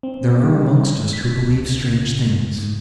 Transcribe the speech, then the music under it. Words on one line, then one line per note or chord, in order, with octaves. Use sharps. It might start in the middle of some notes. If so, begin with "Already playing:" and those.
There are amongst us, who believe strange things.
C4
G3
B6
C#2
C#3
G#2